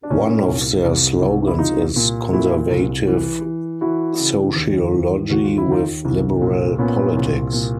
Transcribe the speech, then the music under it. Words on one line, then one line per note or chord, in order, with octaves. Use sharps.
One of their slogans is 'conservative sociology with liberal politics.
D4
A#2 C#4 D#4
C2
C2
C2
E4
C2 D#4 F4
A#2
A#2 E4 F#4
C2
E3
E3
E3 E4 F#4
C#3
D#2
E3
D#2 F#4
F4
E4
D#2 D#4 F4
C2
A#2
A#2 B3 C#4
C2
A#2